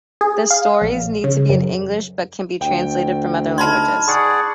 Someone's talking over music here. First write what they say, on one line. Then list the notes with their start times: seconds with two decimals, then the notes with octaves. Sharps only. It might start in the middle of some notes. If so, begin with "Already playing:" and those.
The stories need to be in English, but can be translated from other languages.
0.21 G#4
0.51 F5
0.81 A#1
1.24 C#3
1.49 F#2
2.61 D2 G5
3.58 D#4 A5 B5 C6 F6 G#6
4.08 G#4 D5 F#5 C#6